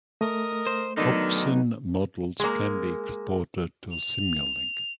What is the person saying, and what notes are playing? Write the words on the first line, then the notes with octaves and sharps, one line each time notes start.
Hopsan models can be exported to Simulink.
A3 A#4 D#5
C5
D3 D#3 F#3 B3 D#4
G#3 A#3
F7